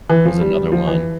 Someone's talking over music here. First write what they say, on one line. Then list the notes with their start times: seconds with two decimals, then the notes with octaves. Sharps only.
was another one.
0.10 E3
0.25 F3
0.41 G3
0.72 F3
0.87 E3